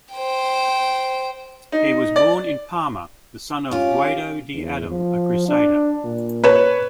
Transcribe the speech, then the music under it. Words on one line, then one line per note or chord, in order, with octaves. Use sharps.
He was born in Parma, the son of Guido di Adam, a crusader.
C5 G5
D#4
D5
C#4 F4 G4
E2
F3
D4
A#2
B4 C#5 E7